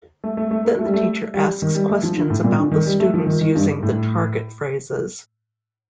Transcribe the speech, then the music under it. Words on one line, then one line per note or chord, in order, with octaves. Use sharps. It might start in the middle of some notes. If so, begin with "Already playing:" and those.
Then the teacher asks questions about the students using the target phrases.
A3
A3
A3
A#3
A3
G3
A3
G3
D#3
G3
A3
F3
D3
A2
A#2
D3
D#3
G3
A3
F3
D#3
D#3
G2
A2